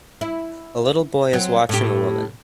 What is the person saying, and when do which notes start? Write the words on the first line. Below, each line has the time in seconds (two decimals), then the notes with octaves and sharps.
A little boy is watching a woman.
0.21 E4
1.33 F#3 C4
1.69 A2 G4